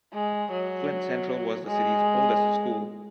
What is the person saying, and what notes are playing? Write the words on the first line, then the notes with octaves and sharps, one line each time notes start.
Flint Central was the city's oldest school.
G#3
F#3
G#3